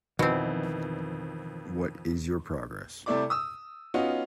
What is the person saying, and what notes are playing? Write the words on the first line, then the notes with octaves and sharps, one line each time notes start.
What is your progress?
F2 B2 D#3 E3 C4
C3 G3 A3 E4 D5 D6
D#6 E6
B3 C#4 D#4 F4 F#4